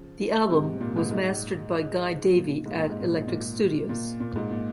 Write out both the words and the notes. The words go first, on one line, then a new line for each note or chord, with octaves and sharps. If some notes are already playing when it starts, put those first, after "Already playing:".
The album was mastered by Guy Davie at Electric studios.
Already playing: C#3 F3
G#2 C3
A#2
G#2
G#2
A#2
G#2
A#2
G#2
A#2
G#2
A#2
A#2
A#2
G#2
A#2